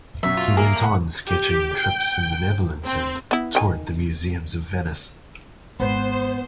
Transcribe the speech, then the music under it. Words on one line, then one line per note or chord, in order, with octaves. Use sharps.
He went on sketching trips in the Netherlands and toured the museums of Venice.
F#2 B2 E5
F4
A#3 G#4
F#5
G4
G5
C4
B3 E4
D#3 G5 G#5
G#1 B3 C5